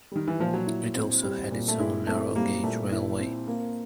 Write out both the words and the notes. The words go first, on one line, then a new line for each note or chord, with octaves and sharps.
It also had its own narrow gauge railway.
D#3 G3
E3
A#2 F3
F#3
E4
C4
G3
A#2
A3
G#3 E4
A3 C4
G3 A#3
A#2 A3
E4
C4
A#3